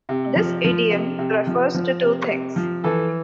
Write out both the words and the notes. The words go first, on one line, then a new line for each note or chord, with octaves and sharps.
This idiom refers to two things.
C3
F3
F3
C3
C3
F3
F3
C3
C3
F3
E3 A4